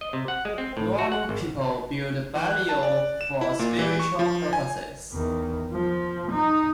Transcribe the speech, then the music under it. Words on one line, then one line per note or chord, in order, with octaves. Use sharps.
Nualu people build Baileo for spiritual purposes.
D#5
C3
F#5
G#3
C4
A2
F#4
F#5
G#1
E3
F#6
A5
D5
E7
E4
A#2
E3
C#6
F3
G#5
E2 D#3
F3
D#4